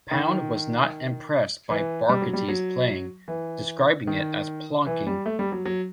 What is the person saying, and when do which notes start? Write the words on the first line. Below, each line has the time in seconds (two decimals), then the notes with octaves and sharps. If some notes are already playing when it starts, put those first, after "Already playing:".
Pound was not impressed by Borgatti's playing, describing it as "plonking".
0.11 D#3
1.70 E3
2.09 G3
2.22 F#3
2.33 G3
2.48 F#3
3.28 E3
4.07 D#3
4.87 E3
5.07 G3
5.26 A3
5.39 G3
5.52 F#3
5.65 F#3